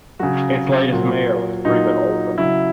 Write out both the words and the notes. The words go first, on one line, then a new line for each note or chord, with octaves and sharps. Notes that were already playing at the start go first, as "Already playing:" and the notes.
Its latest mayor was Preben Olesen.
C#3 F#3 F#4
A#2 F#3
A#2 F#3 D#4
C#3 F#3 E4